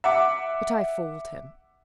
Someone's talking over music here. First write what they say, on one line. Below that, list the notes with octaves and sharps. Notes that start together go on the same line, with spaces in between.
But I fooled him.
E5 F#5 D6